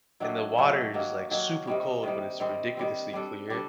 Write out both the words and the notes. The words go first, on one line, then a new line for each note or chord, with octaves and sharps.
and the water is, like, super cold, but it's ridiculously clear.
D#3 F#3 A3 D4
D#3 F#3 A3 D4
D#3 F#3 A#3
D#3 F#3 A#3
C3 D#3 G3
C3 D#3 G3
D#3 G3 C4
D#3 G3 C4
G3 D4 A4
G3 D4 A4